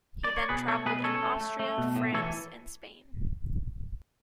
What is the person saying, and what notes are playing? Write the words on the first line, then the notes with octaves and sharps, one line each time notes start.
He then travelled in Austria, France and Spain.
D5
C#5
B2 G#4 B4
A3 A4 C#5
B2 G#4 B4
C#4 A4 C#5
A3
A3
A3
B2
A2
E3 A4 C#5